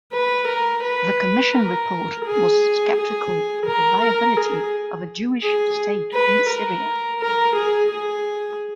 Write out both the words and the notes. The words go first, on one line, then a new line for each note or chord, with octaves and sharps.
The Commission Report was skeptical of the viability of a Jewish state in "Syria".
B4
A#4
B4
A#4
G#4
G#4
A#4
A#4
G#4
G#4
B4
A#4
A#4
G#4
G#4